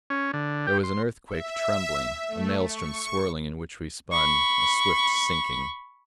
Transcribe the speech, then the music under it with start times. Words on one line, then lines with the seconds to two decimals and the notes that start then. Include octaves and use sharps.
There was an earthquake trembling; a maelstrom swirling in which we spun; a swift sinking.
0.10 C#4
0.33 D3
0.67 G4
0.83 C6
1.27 E5
2.28 A3
2.65 C#6
4.12 B5 C#6